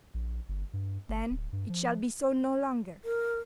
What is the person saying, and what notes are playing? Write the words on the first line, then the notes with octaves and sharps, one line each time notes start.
'Then it shall be so no longer!
A#1
G1
G2
G1
D1
G2
F3
A#4